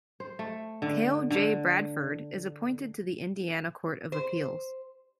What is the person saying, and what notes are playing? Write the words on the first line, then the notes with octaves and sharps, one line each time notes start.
Cale J. Bradford is appointed to the Indiana Court of Appeals.
C5
A3
D3
D3
C5